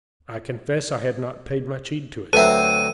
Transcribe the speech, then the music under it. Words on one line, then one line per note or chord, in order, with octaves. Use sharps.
I confess I had not paid much heed to it.
D2 F#3 C4 A4 B4 E5 G5 D#7